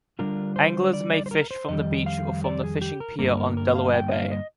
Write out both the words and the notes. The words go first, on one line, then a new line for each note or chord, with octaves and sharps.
Anglers may fish from the beach or from the fishing pier on Delaware Bay.
D3 G3 D4 F4 A#4
C5
D5
D5
C5
A#4
C5
F2 D#3 G3 D#5
F5
D5
G#4
G4
A#4
G2 D3 G3 A#3 A#4
A#4
A#4
F5
G5
D#5
F5
D#5